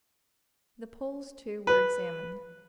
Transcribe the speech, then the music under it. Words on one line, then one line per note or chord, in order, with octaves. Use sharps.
The Poles, too, were examined.
B4